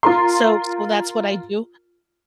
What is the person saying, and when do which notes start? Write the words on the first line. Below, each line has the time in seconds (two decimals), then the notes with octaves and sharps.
so so that's what I do,
0.03 F4 A#4 C6